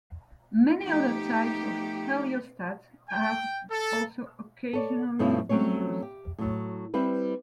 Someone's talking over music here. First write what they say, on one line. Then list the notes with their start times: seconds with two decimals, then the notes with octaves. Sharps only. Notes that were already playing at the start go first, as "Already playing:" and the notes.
Many other types of heliostat have also occasionally been used.
0.83 F3 A3 B3 D#4 G4
3.09 G5
3.71 A4
4.73 A4 C#5 D5
5.19 G2 B2 F3 A3 C#4 E4
5.49 F#3 A3 C4 C#4 C#5
6.02 G4
6.38 A2 F#3
6.94 G3 C4 E4 B4